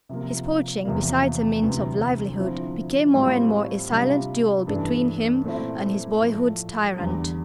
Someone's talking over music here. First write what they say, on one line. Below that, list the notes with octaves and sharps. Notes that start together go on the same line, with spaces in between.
His poaching, besides a means of livelihood, became more and more a silent duel between him and his boyhood's tyrant.
C3 F3 A#3
E2 C3 F3 A#3
D2 C3 E3
D3 F3 C4 E4
A2 G3 C4 F4
C3 G3 D4 F4
G2 E3 A3 D4
A#2 A3 C4 E4
A2 F3 A3
E2 D3 G3